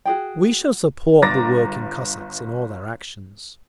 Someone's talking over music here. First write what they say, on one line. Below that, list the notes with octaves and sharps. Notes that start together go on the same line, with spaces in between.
We shall support the working Cossacks in all their actions....
F#4 G#4 G5
G1 A#5 D6 A6 A#6